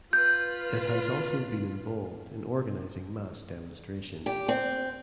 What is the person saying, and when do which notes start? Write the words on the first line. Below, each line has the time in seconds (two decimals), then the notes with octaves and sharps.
It has also been involved in organizing mass demonstrations.
0.13 F4 B4 G6
4.26 G4
4.48 C4